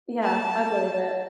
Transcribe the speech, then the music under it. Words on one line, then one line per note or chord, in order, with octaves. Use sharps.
Yeah, I believe it.
A5